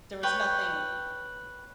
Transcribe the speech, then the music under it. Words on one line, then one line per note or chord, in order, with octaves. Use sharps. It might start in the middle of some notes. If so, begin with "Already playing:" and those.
there was nothing,
B4 C#5 G5